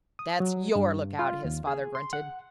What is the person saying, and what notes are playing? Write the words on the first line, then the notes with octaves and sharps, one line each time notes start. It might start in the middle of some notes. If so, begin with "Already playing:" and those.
"That's YOUR lookout!" his father grunted.
D#6
F#3
G2
F4
D#2
G#4
C6
F#5